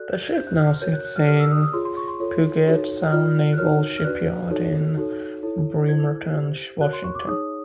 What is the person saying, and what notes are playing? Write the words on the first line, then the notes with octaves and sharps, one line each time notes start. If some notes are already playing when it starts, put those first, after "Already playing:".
The ship now sits in Puget Sound Naval Shipyard in Bremerton, Washington.
Already playing: F#4 A4 D5 F#6
G6
G#6
D4 G4 C5 G6
F#6
F6
F#4 A#4 C#5 G6
F#6
F#6
F6
G4 A#4 D5 F6
E6
D#6
D#6
F4 G#4 C#5 C6
C6
C#6
C6
F4 A4 C#5
D#4 F#4 A4 C#5
F4 A#4 D5 F6
F#6
D#4 F#4 A#4 C#5 F6
F6
D4 F#4 B4 D5 F#6
D#4 F#4 A4 C#5
D#4 F#4 A4 C#5
E4 A4 C#5
E4 A4 C5 G#6
G4 C5
F#4 A#4 C#5 F#6
C6
C#6
D6
D#4 G#4 C#5 D#6